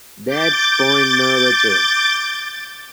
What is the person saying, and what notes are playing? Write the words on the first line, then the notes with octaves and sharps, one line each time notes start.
That's point number two.
D6 G6 A6